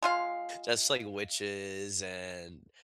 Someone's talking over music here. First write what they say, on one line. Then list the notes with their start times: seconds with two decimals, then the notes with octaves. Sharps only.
just like witches and
0.02 G#3 F4 F5